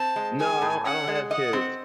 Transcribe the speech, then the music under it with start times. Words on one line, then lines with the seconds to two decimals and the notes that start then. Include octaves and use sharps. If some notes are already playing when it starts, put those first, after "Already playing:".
No, I don't I don't have kids.
Already playing: C4 A5
0.16 G#3
0.39 G#4 G#5
0.62 A2
0.85 C#4 F#5
1.08 G#3
1.31 D#5 F#5
1.53 C4